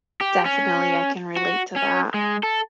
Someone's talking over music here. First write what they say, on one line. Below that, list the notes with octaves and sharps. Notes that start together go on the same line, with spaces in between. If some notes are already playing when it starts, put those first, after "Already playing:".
Definitely I can relate to that.
G4
C#4
F#4
C#4
G#3
A4